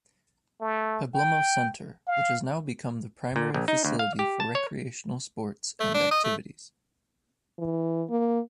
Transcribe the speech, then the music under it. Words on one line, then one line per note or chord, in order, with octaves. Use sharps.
Pablumbo Center, which has now become the primary facility for recreational sports and activities.
A3
G5
F5
A#2
A#1
D#4
D2
F5
G4
A5
C#5
A3
D4
D#5
A3
E3
A#3